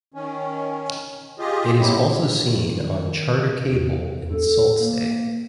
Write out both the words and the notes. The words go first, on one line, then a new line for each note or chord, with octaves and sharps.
It is also seen on Charter cable in Sault Ste.
D#3 C#4
F4 G4 G#4 D#5
F#3 A#3 C4 E4 G4
D#3
E2
A4
A#3